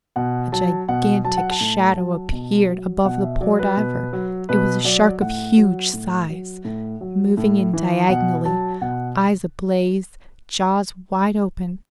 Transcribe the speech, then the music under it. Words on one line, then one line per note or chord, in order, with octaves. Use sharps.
A gigantic shadow appeared above the poor diver. It was a shark of huge size, moving in diagonally, eyes ablaze, jaws wide open!
B2 F#5
F#3 A5
B2 F#5
F#3 A5
F#5
A5
A2
F#3
B2
F#3
B2 F#5
E5
F#3 D5
B4
B2
F#3
B2 B4
F#3 D5
A2 F#5
F#3
A2
F#3
A2
F#3
A2
E3
B2 F#5
F#3 A5
B2 F#5